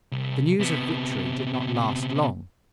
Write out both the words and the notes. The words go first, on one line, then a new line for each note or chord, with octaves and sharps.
The news of victory did not last long.
C2
C3 B3